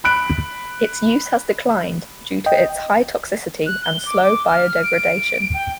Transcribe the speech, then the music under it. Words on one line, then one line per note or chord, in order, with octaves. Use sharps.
Its use has declined due to its high toxicity and slow biodegradation.
B5 F#6 D7
D#5 G5
F#6
G7
D6
D6
F6
D7
G5